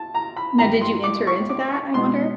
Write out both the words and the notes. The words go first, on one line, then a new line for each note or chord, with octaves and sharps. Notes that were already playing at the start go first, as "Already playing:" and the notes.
Now did you enter into that, I wonder?
Already playing: A5
A#5
B5
G2 D#3 G3 A#5
C6
D6
C#6
D6
C#6
B2 G#3 B3 D4 C6